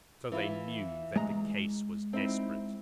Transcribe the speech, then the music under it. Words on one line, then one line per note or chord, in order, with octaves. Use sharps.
So they knew that the case was desperate.
E3 E4 F4
G#3 A#5
C4 D#4 E4